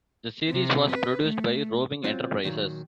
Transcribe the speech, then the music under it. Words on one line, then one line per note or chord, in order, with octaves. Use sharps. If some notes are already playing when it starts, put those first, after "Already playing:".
The series was produced by Roving Enterprises.
C3
B4
A3
F#3 C4 F4
A#2 D#3 F3 F#3